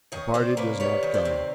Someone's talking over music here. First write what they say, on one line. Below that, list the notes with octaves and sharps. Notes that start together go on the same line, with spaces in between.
The party does not come.
D#3 C#5 D#5
C3 C5 D5
A#3 B4 C#5
G3 B4 C#5
D#3
C5 D5
C3